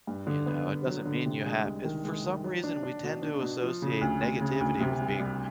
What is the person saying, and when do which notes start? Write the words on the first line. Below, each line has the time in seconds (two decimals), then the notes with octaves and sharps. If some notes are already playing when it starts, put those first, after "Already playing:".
You know? It doesn't mean you have eh, for some reason, we tend to associate negativity with being
0.07 G2
0.27 D3
0.46 B3
0.66 D3
0.86 F#3
1.06 D3
1.26 C3
1.45 G#3
1.65 C2
1.84 D#3
2.04 G#3
2.25 D#3
2.44 F#3
2.63 D4
2.83 D4
3.03 B2
3.22 D4
3.42 B2
3.62 F3
3.82 C#3
4.01 D2
4.21 D2
4.41 C#3
4.61 D2
4.80 C3
5.00 C2
5.20 C2